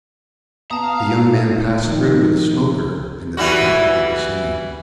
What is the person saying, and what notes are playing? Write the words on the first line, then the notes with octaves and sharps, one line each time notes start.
The young man passed through to the smoker and the detective did the same.
B3 F5 A5 A#5 D#6
D#3 F3
E3 G3 F#4